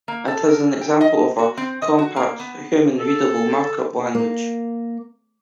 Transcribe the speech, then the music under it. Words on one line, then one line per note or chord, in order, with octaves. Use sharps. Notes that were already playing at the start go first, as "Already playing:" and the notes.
It is an example of a compact human-readable markup language.
A#3
A4
A#4
G5
D#5
F#4
C4
D#5
F#4
A#3
B3
A4
A#3